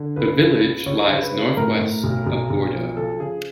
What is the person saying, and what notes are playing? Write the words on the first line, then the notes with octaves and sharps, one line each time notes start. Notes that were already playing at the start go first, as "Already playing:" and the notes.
The village lies northwest of Bordeaux.
Already playing: D3
C#2 B4
C#3
C#2
C#2 C#5
C#3 C5
B4
C#3
A2 A#4
A2
B1
B1
B1
F3
C#3 A4
C#3 G#4